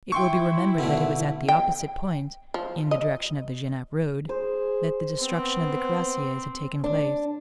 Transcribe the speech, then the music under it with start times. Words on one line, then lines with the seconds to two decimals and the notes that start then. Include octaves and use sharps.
It will be remembered that it was at the opposite point, in the direction of the Genappe road, that the destruction of the cuirassiers had taken place.
0.12 E4 G5 C6 C#6
0.78 B2 D3 A3
1.49 G5
2.54 F3
2.91 D#5
4.29 G#4 C5
5.21 B3 C4
6.84 D4